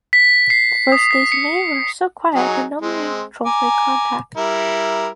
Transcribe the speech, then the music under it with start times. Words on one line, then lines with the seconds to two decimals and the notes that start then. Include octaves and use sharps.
The first days of May were so quiet that no Marine patrols made contact.
0.13 B6
0.50 C7
0.92 D#6
1.11 B6
1.32 C#7
2.35 F#3 D#4 G#4
2.82 G#3 C4
3.46 G#5 A#5 D6
4.37 G3 E4 A#4